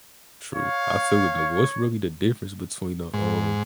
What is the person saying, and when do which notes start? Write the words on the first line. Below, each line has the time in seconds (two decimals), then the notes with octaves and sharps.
True. I feel it though. What's really the difference between a, um,
0.55 C#5 F5
3.13 G#2